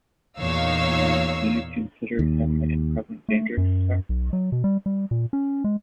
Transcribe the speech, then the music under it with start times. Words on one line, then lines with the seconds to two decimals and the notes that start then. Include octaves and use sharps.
Do you consider him in present danger, sir?
0.39 E2 A#2 D#4 C#5 F5 E6
2.19 D#2
3.29 A3
3.57 F#2
4.09 B1
4.33 F#3
4.52 B2
4.64 G3
4.86 G3
5.11 A#2
5.33 C#4
5.64 G#3